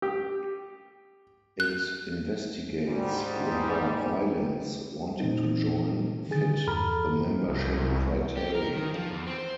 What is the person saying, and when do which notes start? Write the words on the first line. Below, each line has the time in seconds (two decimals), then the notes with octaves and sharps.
It investigates whether islands wanting to join fit the membership criteria.
0.02 G4
1.60 F#6
2.86 G#2 G3
5.20 A#2 E3 C4 D#4
6.29 D3 D#3 G#4 A6
6.67 E2 G2 A4 A#5 B5 F6
7.48 C2
8.37 G4
8.55 A#4
8.74 D#3
8.94 F3
9.11 E2
9.27 C4
9.38 C5